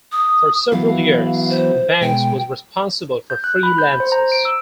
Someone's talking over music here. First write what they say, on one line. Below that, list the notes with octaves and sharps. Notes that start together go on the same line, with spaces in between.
For several years Banks was responsible for freelances.
D#6
E3 F#3 B3 F5
C5
B2 G#3 G5
G6
F#6
B5
G6
C5
A#5
D7
E6